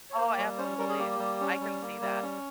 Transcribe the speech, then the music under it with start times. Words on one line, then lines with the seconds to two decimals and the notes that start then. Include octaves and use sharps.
Oh, absolutely. I can see that.
0.10 C#5
0.17 A#3 C5
0.37 G3 C#5
0.58 C#4 C5
0.78 G3 A#4
0.89 G#4
0.99 A#3 G4
1.19 G3
1.41 C#4
1.61 G3
1.82 A#3
2.01 G3
2.22 C#4